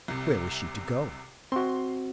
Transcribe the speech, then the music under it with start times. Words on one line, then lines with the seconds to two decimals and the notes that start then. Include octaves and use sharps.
Where was she to go?
0.08 C2 C3
1.52 C4 F#4 C6